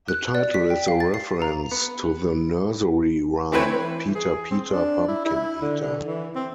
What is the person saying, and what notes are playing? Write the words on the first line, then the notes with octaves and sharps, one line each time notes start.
The title is a reference to the nursery rhyme "Peter Peter Pumpkin Eater".
F#6
D5
B6
G5
F5
A6
C7
A#5
B3
E3 A3 C4 E4 B4 C#5
E3
G#4
C4
D4
E4
E4
D3
D3
E3
C4